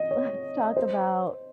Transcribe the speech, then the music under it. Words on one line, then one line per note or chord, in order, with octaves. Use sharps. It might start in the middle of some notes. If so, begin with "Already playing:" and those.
let's talk about
Already playing: D#5
C#5
C5